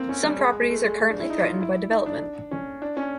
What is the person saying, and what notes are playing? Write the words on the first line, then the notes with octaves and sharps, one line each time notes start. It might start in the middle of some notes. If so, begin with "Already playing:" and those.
Some properties are currently threatened by development.
Already playing: A#3 C4
C#4
G3
G#3
G#3
A3
G#3
G#3
D4
E4
D#4
F4
E4
D#4
D4
C#4
D4
C#4